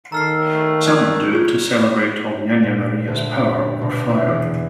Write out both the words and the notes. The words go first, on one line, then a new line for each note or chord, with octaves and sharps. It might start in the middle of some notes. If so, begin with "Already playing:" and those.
Some do it to celebrate Ognyena Maria's power over fire.
D#3 A4 A#5 F6 C7
A3
F3 G#5 F#6 G#6
F4 G#4 C#6
A#2
D2
B2
E4
E2